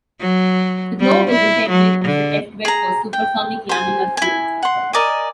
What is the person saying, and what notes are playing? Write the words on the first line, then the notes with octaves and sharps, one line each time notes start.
The glove is intended as a testbed for supersonic laminar flow.
F#3
G3
E4
F#3
D3
G#4 A#5
G5
C5 G#5
E4 G#5
F#5 C6
A#4 D5 D#5 G#5